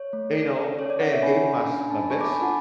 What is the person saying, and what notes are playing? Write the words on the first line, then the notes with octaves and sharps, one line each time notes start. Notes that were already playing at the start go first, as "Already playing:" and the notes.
you know, and gave 'em my s my best suit
Already playing: C#5
A3
A4 D5
A4 D5
C#4 C#5
D5
C#4 D5 F#5
C#5 E5
C#4 G#5 B5
C#4
D4
G#5
D4 A5
B5
A4 A5 C#6
B5 D6
D4 G#5 B5
F#5 A5